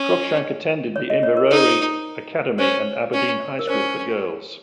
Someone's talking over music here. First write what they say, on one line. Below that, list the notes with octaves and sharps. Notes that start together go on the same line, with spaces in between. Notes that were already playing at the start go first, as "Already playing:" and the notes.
Cruickshank attended the Inverurie Academy and Aberdeen High School for Girls.
Already playing: C#4
C#5
D#5
C#5
A#4
D#4 C5
C#4 C5
C#4
A#4
C#4 C5